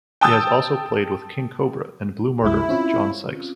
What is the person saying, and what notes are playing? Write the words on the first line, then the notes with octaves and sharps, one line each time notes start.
He has also played with King Kobra and Blue Murder with John Sykes.
G5 A5 D#6 E6 G6 A6
C2 F#2 G#3 E4
C4 C#4 F4